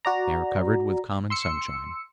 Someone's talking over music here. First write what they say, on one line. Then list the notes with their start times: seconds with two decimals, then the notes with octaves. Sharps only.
They are covered with common sunshine.
0.05 F#4 D5 A#5
1.30 C6 E6 C#7